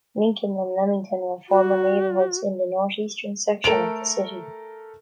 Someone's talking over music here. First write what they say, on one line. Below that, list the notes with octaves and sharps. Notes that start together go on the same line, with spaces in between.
Lincoln and Lemington were former neighborhoods in the northeastern section of the city.
F#4
A3 A4 A#4 D7 F7